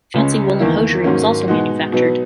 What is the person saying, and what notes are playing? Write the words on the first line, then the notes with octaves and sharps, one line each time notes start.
Fancy woolen hosiery was also manufactured.
C#2 C#3 G#3 C#4
E2 D#3 A#3 E4
G#2 D#3 F#3 A#3 C#4
B2 G#3 D#4 F#4
B2 F#3 B3 D#4